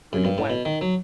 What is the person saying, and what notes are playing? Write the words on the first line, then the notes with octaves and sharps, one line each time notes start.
really went,
F#2
G2
A2
B2
D#3
F#3